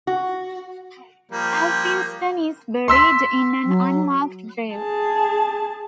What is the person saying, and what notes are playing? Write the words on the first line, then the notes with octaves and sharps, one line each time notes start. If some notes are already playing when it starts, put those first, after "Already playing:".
Elphinstone is buried in an unmarked grave.
F#4
F3 G3 A#3
C6 E6 B6
F#3
G#4 A5